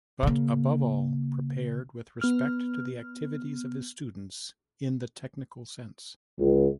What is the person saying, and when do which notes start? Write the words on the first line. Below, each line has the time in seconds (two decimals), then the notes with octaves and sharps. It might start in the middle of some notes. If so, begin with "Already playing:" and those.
But, above all, prepared with respect to the activities of his students in the technical sense.
0.23 C#3 A#3
2.21 B3 F6
6.39 C#2